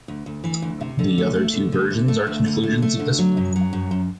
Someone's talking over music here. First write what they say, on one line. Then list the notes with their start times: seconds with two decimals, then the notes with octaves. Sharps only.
The other two versions are conclusions of this one.
0.08 D2
0.26 D2
0.44 E3
0.62 D2
0.81 C3
0.99 D3
1.18 A3
1.35 A3
1.54 D3
1.72 D3
1.90 A3
2.08 A3
2.27 D2
2.46 D3
2.63 A3
2.82 A3
3.00 D3
3.19 F#3
3.37 F#2
3.56 F#3
3.73 F#2
3.91 F#2